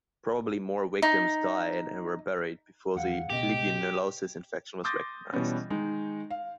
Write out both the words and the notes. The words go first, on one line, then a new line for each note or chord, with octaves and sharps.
Probably more victims died and were buried before the legionellosis infection was recognized.
D#4
E2 F5 F#5
C#2 B2 G4 D#5
C6 D6 D#6 G6 A6 A#6
B2 E3 G3 B3 C#4
D#3 G#3 D#4
F5